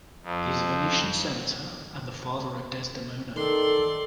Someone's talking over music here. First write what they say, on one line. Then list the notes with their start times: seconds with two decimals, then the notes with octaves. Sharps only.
He is a Venetian senator and the father of Desdemona.
0.23 F2
3.35 D#3 A4 D5 C6